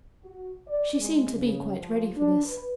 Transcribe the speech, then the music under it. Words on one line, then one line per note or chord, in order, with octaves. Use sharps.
She seemed to be quite ready for this.
F#4
D5
G#3
C#3
F3
D4
B4